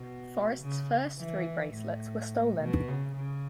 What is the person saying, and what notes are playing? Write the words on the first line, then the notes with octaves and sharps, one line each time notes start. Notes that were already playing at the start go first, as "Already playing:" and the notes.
Forrest's first three bracelets were stolen.
Already playing: B2
C#3
E3
A2
B2
C#3
C#3